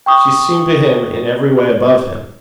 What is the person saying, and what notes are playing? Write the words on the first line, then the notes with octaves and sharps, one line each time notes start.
She seemed to him in every way above him.
G5 C#6 D#6